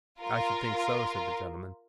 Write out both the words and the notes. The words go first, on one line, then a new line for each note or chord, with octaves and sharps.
'I should think so,' said the gentleman.
F4 A#4